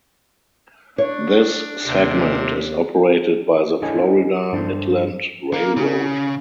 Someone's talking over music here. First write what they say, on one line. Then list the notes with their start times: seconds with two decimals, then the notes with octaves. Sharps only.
This segment is operated by the Florida Midland Railroad.
0.98 D4 C#5
1.85 D#2 C3
3.82 D4 E4 A4 C#5 D#5 G#5
4.52 G2 D4 A4 C5
5.53 A#3
5.77 C#3